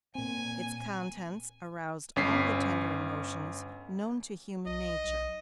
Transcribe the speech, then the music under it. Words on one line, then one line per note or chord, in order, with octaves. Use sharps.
Its contents aroused all the tender emotions known to human nature.
A#2 C4 G#5
G1 C#4 B6 C7
B1 D#5
B1